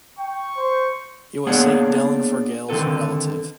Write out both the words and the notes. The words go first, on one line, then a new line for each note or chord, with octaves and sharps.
He was St. Dallan Forgaill’s relative.
G5 C#6
C5
A#3 B3 D4 G#4 C#5 F#5
D3 D#3 C4 E4 A4 B4